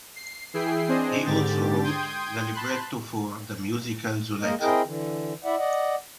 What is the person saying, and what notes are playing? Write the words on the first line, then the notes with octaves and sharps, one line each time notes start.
He also wrote the libretto for the musical "Zuleika".
C7
E3 E4 G#4 G5 C7
C4 D4 G#4 C5 D#5
G#2 D3 G4 A6
G5 C6 D#6 G6 G#6
A5 B5 C6 F#6
G#3 A#3 A#4 D#5
C4 E4 G#4 A#4 D#5 G5
D3 E3
E4 D5 E5 F#5
D5 D#5 F#5